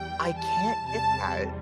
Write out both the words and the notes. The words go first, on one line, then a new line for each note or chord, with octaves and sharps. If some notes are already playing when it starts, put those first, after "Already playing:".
I can't get that.
Already playing: E2 E3 G3 G5
A5
E2 C3 G3 A5